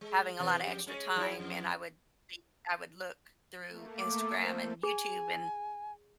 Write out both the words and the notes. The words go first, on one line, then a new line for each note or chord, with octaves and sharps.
having a lotta extra time, and I would think I would look through Instagram and YouTube, and
G#3
B2 E3
F2 G4
G#3 C#4
F#3 D#4 E4
F2
A3 A#3
D6
A4 C5
G#4 G#5